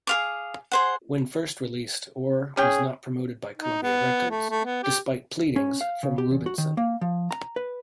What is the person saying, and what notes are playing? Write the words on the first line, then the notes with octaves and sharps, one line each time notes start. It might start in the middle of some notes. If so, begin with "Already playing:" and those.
When first released, "Oar" was not promoted by Columbia Records, despite pleadings from Rubinson.
G#4 F5 D6
G#4 C5 F#5
C#4 G#4 G5
D#4
B3
A3
A3
B3
G4
C#4
F5
C#3
G4
E2
F#4
D#3
A#3
F3
A#5
B4